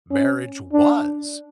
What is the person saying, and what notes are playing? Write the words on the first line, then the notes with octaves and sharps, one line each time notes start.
marriage was,
C#4
D4